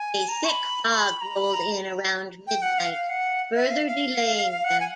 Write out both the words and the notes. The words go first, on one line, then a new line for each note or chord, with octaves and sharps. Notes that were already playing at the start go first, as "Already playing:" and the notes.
A thick fog rolled in around midnight, further delaying them.
Already playing: G#5
A#5
C#6
B5
C#6
B5
A#5
B5
A#5
G5
F#5
F5
F5
F#5
E5
F5
F5
F#5
G#5